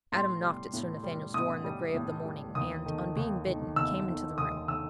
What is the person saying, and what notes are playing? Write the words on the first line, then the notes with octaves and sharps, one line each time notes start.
Adam knocked at Sir Nathaniel's door in the grey of the morning, and, on being bidden, came into the room.
A2 C6
G3
A2
G3
A2 D#6
G3
A2
G3
D#2 D#6
D#3 A3
D#2
D#3 A3
D#2 E6
D#3 A3
D#2 D#6
D#3 A3 E6